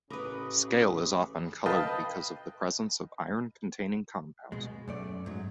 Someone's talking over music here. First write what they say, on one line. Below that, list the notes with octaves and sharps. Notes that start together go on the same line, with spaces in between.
Scale is often coloured because of the presence of iron-containing compounds.
A1 C#3 A#4 B4 B5 D6 D#6
B4 D#5 F5 G5 A5
B2 G#3
F#2 A3 D5
G#2 F#3